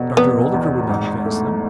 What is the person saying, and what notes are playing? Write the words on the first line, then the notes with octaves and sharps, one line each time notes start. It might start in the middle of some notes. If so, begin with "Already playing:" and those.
Dr. Oldacre would not advance them.
Already playing: F1 B2
F1 B3
E2
G#2
A3